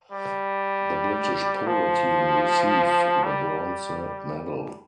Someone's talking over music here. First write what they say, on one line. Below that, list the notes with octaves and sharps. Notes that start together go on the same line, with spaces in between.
The British Polo team received the Bronze Medal.
G3
F3
G3